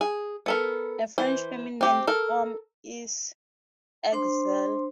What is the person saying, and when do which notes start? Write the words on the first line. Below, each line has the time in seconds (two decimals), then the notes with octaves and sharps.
A French feminine form is Axelle.
0.01 G#4
0.46 B3 A4 A#4
1.18 E3 C5
1.81 C4 G4
2.07 A4 A#4
4.12 D4 C5 C6